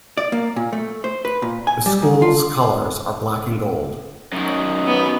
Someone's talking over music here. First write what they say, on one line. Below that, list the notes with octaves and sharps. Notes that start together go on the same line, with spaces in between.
The school's colors are black and gold.
D5
A#3
A#2
A3
C5
B4
A#2
G#5
G3
D#3
F4
F#2 D#3
B3